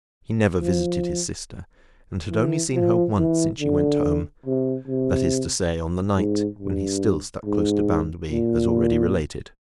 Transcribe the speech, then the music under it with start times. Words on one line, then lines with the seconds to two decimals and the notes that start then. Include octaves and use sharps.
He never visited his sister, and had only seen her once since she went home: that is to say on the night when he still stuck close to Bounderby, as already related.
0.60 F3
2.31 E3
2.74 F3
3.17 E3
3.60 D3
4.46 C3
4.87 C3
6.17 G#2
6.59 G2
7.44 G#2
8.31 A#2